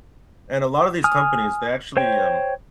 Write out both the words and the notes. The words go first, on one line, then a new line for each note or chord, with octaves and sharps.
and a lot of these companies, they actually, um,
G#5 D#6 F6
C5 C#5 G5